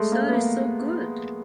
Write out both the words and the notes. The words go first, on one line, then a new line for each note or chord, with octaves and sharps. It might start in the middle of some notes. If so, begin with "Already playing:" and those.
Sir is so good!
Already playing: G#3 A3
A#3
B3
A#3